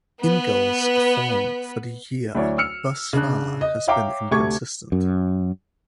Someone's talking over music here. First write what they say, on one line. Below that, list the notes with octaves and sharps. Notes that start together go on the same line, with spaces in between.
Ingall's form for the year thus far has been inconsistent.
B3 B4
D2 F#3 E4 C#5 D5
E6 F6 C#7
C#3 D4 F#6
D#5
C#5 E5 F5 G5 A#5 D6
D2 C3 A3 C#6 D6 G#6
F#2